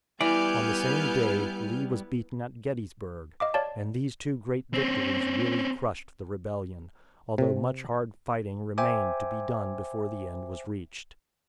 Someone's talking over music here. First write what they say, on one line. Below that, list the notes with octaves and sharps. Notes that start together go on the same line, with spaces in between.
On the same day Lee was beaten at Gettysburg, and these two great victories really crushed the Rebellion, although much hard fighting remained to be done before the end was reached.
E3 G3 B3 E4 D5 G#5 F6 G6
D#5 F5 D6
C#5 D5 F5 A5
C4 C#4
C3
C5 E5 G5 G#5 D6